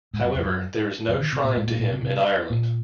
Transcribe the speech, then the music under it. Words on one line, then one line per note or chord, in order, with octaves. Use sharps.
However, there is no shrine to him in Ireland.
G#2
F#2
F2
F#2
F#2
D#3
C3
A#2
G#2
A#2
A#2
C3
C3
A#2